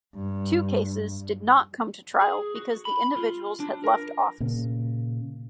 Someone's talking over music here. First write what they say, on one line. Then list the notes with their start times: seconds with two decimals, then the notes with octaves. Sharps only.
Two cases did not come to trial because the individuals had left office.
0.15 G2
2.21 G#4
2.55 F#4
2.85 B5
3.17 F4
3.60 D4
3.84 A#4
4.40 A#2 C#3